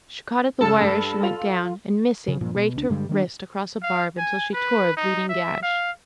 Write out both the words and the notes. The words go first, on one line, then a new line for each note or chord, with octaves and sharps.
She caught at the wire as she went down, and missing, raked her wrist across a barb until she tore a bleeding gash.
G2 C#3 A4 F6
G2 E7
F4 F7
C#3
G2 A#2 F3
B2
C#2 D4
G2 D3 G3 G#3
D#3 G3 A#3 D4
F5
G#5
B4
D#4
E5
F5